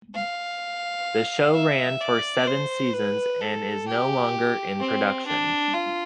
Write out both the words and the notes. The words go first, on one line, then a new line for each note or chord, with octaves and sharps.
The show ran for seven seasons and is no longer in production.
F5
E5
D5
C5
B4
A4
G4
C4
D4
F4